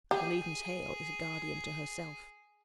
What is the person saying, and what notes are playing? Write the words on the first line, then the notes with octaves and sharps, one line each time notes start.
I believe Miss Hale is a guardian to herself.'
G4 G#4